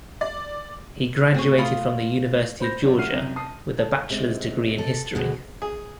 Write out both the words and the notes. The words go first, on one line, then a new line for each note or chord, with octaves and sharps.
He graduated from the University of Georgia with a bachelor's degree in history.
D5
G#2 A3 C4 F#4 G#4 C#5
A3 F4 B5 D#6
C5 B5 G6 A#6
F#3 C#4 F#4 D5
A3 F#5 F6 C7 D#7
C2 F#2 C3
A5 D#6 C7
A4
C3 G#3 C#4
A4
D2 B2 G#3
G#4